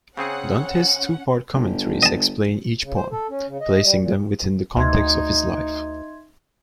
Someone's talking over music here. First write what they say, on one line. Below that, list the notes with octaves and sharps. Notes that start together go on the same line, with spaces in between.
Dante's two-part commentaries explain each poem, placing them within the context of his life.
C#3 C4 C#4 G#4 F#5
G1
D#5 A5
C#3
C5
A4
C#4
C#3
D#5
G3
A#2
D2 D#4 E5 C6 G#6